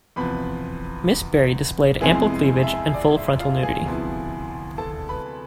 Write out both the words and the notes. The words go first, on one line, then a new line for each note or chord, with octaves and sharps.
Miss Barrey displayed ample cleavage and full frontal nudity.
E2 C3 F3 B4 B5
F2 C3 G#3 B3 E4 G#4 G#5
E5
D5
E5
F4 F5
G#4 G#5
D2 C3 F3 B3 E4
A4 A5
B4 B5